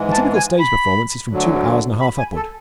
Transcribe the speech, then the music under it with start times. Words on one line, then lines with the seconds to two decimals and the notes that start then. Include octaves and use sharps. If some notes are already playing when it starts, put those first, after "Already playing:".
The typical stage performance is from two hours and a half upward.
Already playing: G#2 E3 G#3
0.12 A5
0.35 G#5
0.59 B5
1.31 D2 D3 F#3
2.01 B5
2.19 G#5
2.36 A4